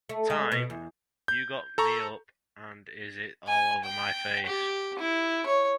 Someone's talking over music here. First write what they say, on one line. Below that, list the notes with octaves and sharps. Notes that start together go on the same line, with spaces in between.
"Time", "U Got Me Up" and "Is It All over My Face".
A3
G#3
B2
E2
G6
A4 A#5 C#6
G#5
G5
G4
E4
C#5